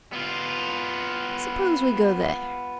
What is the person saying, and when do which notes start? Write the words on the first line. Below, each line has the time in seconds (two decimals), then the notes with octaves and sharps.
Suppose we go there.
0.12 B3 F4